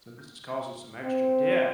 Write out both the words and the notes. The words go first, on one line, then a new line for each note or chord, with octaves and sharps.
So, this is causing some extra debt,
C4